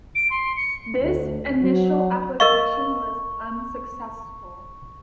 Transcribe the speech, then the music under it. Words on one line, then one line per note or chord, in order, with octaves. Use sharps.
This initial application was unsuccessful.
D7
C6
C#7
D2
F#3
A#4 D#5 F5 C#6